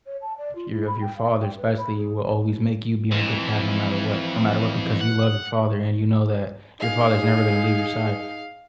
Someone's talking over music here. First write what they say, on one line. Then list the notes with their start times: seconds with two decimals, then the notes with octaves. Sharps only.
your of your father, especially, will always make you be in a good path no matter what, no matter what because you love your father, and you know that your father's never gonna leave your side
0.06 C#5
0.22 A5
0.38 D5
0.56 F4
0.72 E4
0.87 B5
1.01 G5
1.17 F5
1.42 G5
1.58 B4
1.78 B5
1.96 G#4
3.12 F2 E3
5.01 F#5
6.80 D#4 G#4 F5